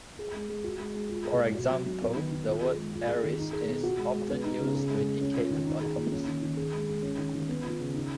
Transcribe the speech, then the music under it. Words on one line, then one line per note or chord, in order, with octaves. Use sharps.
For example, the word "Aris" is often used to indicate the buttocks.
G#4
G#3
G#3
F#4
G#3
G#3
F4
G#4
G#3
F#4
F#3
F#3
B3
D#3
D#3
F4
G#4
G#3
F4
G#4
D#3
D#4
G#4
B2
F#4
G#3
G#3
B3
D#4
C#3
G#4
G#3
G#3
C#4
F4
D#3
D#4
G#4
A#2
C#4
D#3
D#3
G#4
G#3
G#3
C#4
D#3
D#3
B3
F4
C#3
D#4